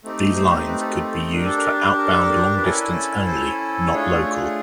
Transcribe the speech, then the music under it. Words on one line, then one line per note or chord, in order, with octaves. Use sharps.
These lines could be used for outbound long-distance only; not local.
A3 C4 D#4 G4
C5
B4
A4
A#4
A4
D4 G4 A#4
A4
A#4
A#4
A4
A#4
B4
C#4 E4 A4 A#4
C5
A3 D4 F4 G#4 C#5